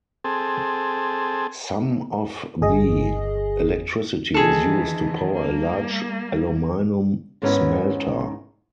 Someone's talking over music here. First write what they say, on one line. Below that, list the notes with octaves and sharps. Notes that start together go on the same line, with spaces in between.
Some of the electricity is used to power a large aluminum smelter.
C4 G#4 A4
G1 G#4 D#5
D#3 E3 G#4 A4
G3 A#3
G#2 D#3 B3 C#4 E4